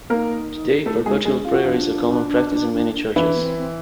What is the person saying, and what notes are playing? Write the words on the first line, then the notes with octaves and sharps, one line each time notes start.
Today, perpetual prayer is a common practice in many churches.
A#3 D#4 A#4
A3 E4 A4
G#3 D#4 G#4
G#3 D4 G#4
C#4 F4
F#4
F3 D4 F4
E3 D4 E4
B3
C4
C4